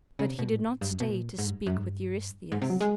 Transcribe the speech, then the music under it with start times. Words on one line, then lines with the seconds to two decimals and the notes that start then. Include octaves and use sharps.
But he did not stay to speak with Eurystheus.
0.19 C#3
0.24 C3
0.39 B2
0.48 A#2
0.52 A2
0.81 G2
0.90 F#2
1.00 B2
1.09 A#2
1.38 G#2
1.47 G2
1.66 F#2
1.77 G#2
1.80 G2
2.52 G#2
2.62 C3
2.70 F#3
2.81 G#3